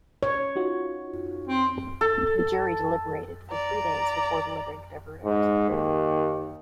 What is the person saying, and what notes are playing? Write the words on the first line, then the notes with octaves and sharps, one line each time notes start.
The jury deliberated for three days before delivering their verdict.
C#5
D#4 F4 F#4
C4
A4
D5 A#5
G#2
D#2